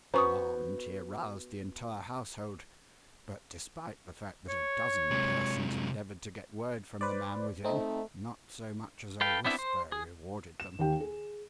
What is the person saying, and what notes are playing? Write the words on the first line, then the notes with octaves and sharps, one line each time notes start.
Alarmed, he aroused the entire household; but despite the fact that a dozen persons endeavoured to get word from the man within, not so much as a whisper rewarded them.
B3 C#4 F#4 C5 A#5 C#6 D#6
C#5
C3 G#3
B4 C5 D5
A3 C4 D#4
A4 B4 F5 G5
B3 C4 D4 E4 E5
C5
G#4
E7
D#2 G4 G5
G#4